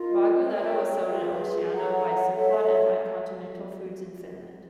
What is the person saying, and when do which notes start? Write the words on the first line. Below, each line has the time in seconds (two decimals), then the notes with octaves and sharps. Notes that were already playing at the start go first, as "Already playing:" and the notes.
Raguletto is sold in Oceania by Simplot and by Continental Foods in Finland.
Already playing: F4 A#4 D#5
0.45 A#4 C#5 E5 G5
1.08 F4 G#4 B4 E5
1.72 A4 C#5 F#5 A#5
2.36 A4 C#5 E5